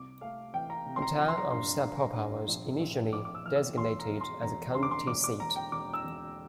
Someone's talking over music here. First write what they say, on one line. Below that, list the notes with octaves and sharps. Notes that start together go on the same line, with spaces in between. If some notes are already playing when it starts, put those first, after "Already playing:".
The town of Sapulpa was initially designated as the county seat.
Already playing: C2 D6
A3 F5
E3 G5
A#5
C3
C6
A#5
F3 A#5
C6
A#5
G2 C6
G2
G2
A#1
A#1
A#1 D6
D6
E6
E3 F6
E6
E1 C6
A#5
E1
C6
E1 A#5
D3 C6
D6
C6
E1 D6
D6
E1 A#5
G5
E1 D6
E6
E1